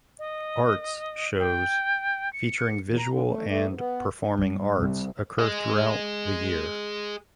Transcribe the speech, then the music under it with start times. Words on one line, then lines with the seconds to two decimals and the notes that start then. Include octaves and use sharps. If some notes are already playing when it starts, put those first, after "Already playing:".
Arts shows featuring visual and performing arts occur throughout the year.
0.19 D#5
1.39 G5
2.33 C#7
2.87 E2
2.98 A#5
3.10 D3
3.28 A3
3.48 A3
3.66 G#2
3.78 B3
4.37 G2 G3
4.80 C2
5.40 G#4 D#5